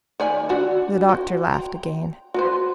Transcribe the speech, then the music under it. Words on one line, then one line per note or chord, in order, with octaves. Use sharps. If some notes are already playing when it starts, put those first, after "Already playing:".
The doctor laughed again.
D#3 D5 G#5
D4 F#4 G4
F#4 G5
G5 A#5
F#4 B4 C5